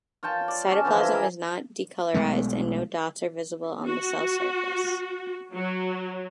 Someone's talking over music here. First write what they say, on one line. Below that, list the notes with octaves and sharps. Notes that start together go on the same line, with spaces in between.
The cytoplasm is not decolorized and no dots are visible on the cell surface.
F4 C#5 G5 A5
D5
C#4 D5 A5
D3 E3 F3
E4 D#5
A#4 E5 G#5
B1 B2 G#3 A3
F#4
F#3